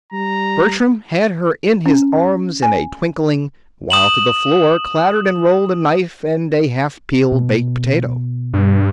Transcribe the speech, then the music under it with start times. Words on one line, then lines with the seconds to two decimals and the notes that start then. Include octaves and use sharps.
Bertram had her in his arms in a twinkling, while to the floor clattered and rolled a knife and a half-peeled baked potato.
0.13 G3 A#5
1.86 C#4
2.62 G#5
3.90 D#6 E7 F#7
7.32 B2
8.54 G2